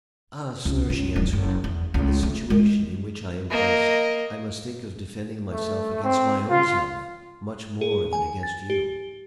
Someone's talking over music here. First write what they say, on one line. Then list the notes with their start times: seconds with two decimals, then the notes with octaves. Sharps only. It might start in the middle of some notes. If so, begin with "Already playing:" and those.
"Ah, sir!" she answered, "in the situation in which I am placed, I must think of defending myself against my own self much more than against you."
0.65 C#2
0.90 C#2
1.16 D1
1.33 F#1
1.64 E2
1.94 C#2
2.23 A3
2.50 G#3
3.50 A#3 D#5
5.52 A3
6.04 C4
6.50 F4
7.81 G#4
8.13 G#5
8.43 A6
8.70 G4